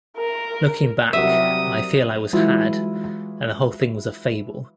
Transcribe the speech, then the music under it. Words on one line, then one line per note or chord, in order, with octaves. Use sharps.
Looking back, I feel I was had and the whole thing was a fable.
A#4
C2 C3 F#3 G3 A#4 E5 F#5 D#6
E3 F#3 G#3 E4 F4